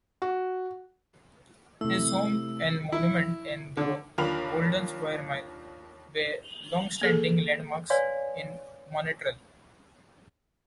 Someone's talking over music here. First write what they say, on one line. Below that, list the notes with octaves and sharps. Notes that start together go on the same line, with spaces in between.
His home and monument in the Golden Square Mile were longstanding landmarks in Montreal.
F#4
C3 A3 E4 E6
E4
D3
D#2 D4 F4 A#4 B5 F7
A#3 G#4 A4
B4 C#5 D5 F5 G#5 C6